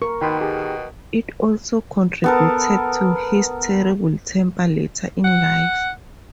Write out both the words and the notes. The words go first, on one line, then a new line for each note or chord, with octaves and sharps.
It also contributed to his terrible temper later in life.
A#4 C#6
B2 D#3 G5 B5 C6
G4 G#4
B3 A4 A#4
F#5